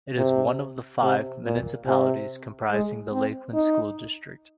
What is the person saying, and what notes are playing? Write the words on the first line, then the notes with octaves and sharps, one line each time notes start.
It is one of the five municipalities comprising the Lakeland School District.
C3
C3
A#2
C3
G#3
C4
D#4